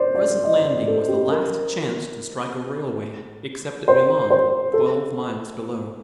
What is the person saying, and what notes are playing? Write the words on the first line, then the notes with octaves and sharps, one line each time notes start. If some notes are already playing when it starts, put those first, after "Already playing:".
The present landing was the last chance to strike a railway, except at Milan, twelve miles below.
Already playing: C5 D5
D5
D#5
D5
A4
G4
A#4
C5
C5
A4